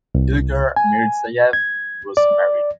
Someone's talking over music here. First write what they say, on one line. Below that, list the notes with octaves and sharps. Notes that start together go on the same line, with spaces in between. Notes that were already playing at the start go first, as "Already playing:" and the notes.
Ilgar Mirzayev was married.
C2
G#5
G#6
D5